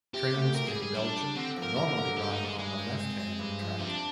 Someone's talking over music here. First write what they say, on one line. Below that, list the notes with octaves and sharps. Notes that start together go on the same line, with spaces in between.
Trains in Belgium normally run on the left hand track.
C3 G4
D2
C4 A#4
G#4
G3
G#4
G3 D4
G3
D3 C4
F3
A#4
D3 A#4
D3
G2 G4
D#4
D#3
G#3
G2 G#3
D#3
C4
C4
G2
F3
C3 D4